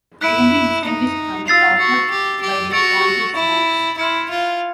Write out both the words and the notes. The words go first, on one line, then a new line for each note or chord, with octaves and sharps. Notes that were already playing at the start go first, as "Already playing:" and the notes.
They can be distinguished from the tautog by their pointed snouts.
E4 F#6 B6 D7
D#4
F4 E6 A6 C7 F7
F#4
G4
G4
F#4 E6 A6 D7 F7
E4
E4 C6 F6 G#6 C#7
F4